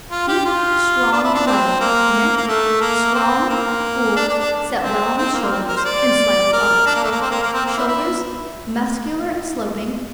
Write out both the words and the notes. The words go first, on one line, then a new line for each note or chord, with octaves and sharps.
TEETH--Strong and level. NECK--Strong, full, set well on the shoulders, and slightly arched. SHOULDERS--Muscular and sloping.
F4
G4
F4
D4
E4
D4
C4
A#3
A#3
A3
A#3
C4
A#3
D4
D4
D4
C4
C4
A#3
C4
A#4
C5
D5
A#4
D4
A#3
A3
A#3
C4
A#3
A#3
C4
A#3
E4
E4